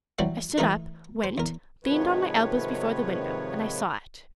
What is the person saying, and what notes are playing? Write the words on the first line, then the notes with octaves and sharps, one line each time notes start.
I stood up, went, leaned on my elbows before the window, and I saw it.
E3 F#3 G3 C4
E3 A3 D#4 F4 A#4 B4
C5
E2 A#4
G#2 C3 D#3 F3 B4 C#5